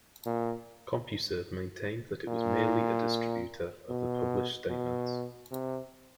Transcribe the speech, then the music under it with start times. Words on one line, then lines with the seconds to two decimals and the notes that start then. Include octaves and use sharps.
CompuServe maintained that it was merely a distributor of the published statements.
0.26 A#2
2.28 A#2
3.90 B2
4.70 B2
5.51 C3